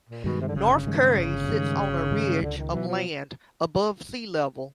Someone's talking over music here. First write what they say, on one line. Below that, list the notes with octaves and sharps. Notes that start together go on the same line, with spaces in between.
North Curry sits on a ridge of land, above sea level.
A#2
G2 B2 D#3 G#3
C3
D3
G1 C#3
G2 D#3 G#3
G1
G2 D#3 G#3
G1
G2 D#3 G#3
C#2 D3
D#3
B2 E3 F#3
F3